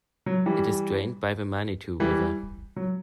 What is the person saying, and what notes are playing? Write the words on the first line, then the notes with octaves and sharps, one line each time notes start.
It is drained by the Manitou River.
F#3
E3 G3
E3 G3
F#3